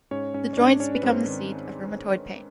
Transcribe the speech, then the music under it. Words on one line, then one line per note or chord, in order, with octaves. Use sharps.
The joints become the seat of rheumatoid pain.
G#2 C#4 C#5
G#2 C#4 C#5
C#5
G#2 D4 D5
G#2 C#4 C#5
B4
G#2 C4 C5
D#3